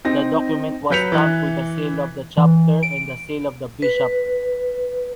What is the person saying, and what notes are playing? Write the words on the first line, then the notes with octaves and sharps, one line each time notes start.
The document was stamped with the seal of the chapter and the seal of the bishop.
C4 D#4 A#6
F#3 B4 G6 B6 C#7 F7
E3 F#6
E3
D7
B4